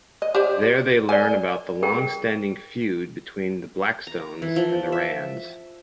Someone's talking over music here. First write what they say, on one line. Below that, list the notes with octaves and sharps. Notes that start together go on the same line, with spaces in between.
There they learn about the long-standing feud between the Blackstones and the Rands.
D#5
G4 C5 D5
A#4 D5 G#5
G#4 A#4 G5
A#5
E3
F3
E5